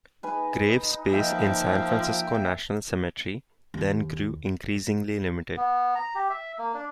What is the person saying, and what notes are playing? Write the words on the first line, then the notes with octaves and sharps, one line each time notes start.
Grave space in San Francisco National Cemetery then grew increasingly limited.
D#4 B4 G#5 B5
F3 A#3 E5 G5
D#2
B3
A#5
G4
E5
A#3
D4